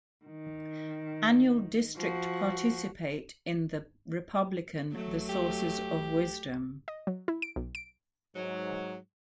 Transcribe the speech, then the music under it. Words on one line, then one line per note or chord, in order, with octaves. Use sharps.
Annual district participate in the Republican the sources of wisdom.
D#3
F3 F#4
F#3 A3
G4
D#5
F#3
E4
D7
B1
D7
G#2 F#3